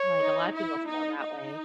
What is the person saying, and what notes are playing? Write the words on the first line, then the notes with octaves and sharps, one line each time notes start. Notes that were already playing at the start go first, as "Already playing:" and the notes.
Like, a lot of people feel that way.
Already playing: C#5
D#4
E4
D#4
D#4